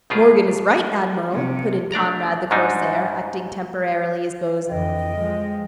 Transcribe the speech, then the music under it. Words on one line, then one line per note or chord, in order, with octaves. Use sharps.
"Morgan is right, admiral!" put in Conrad the corsair, acting temporarily as bo'sun.
A#1 B2 D#3 F4 G4 G#4
C3
A3 D4 D5 A#5
G#2 F#3 G3 D4 D#4
F2 D3 E3 D#5 G5
F3 G#3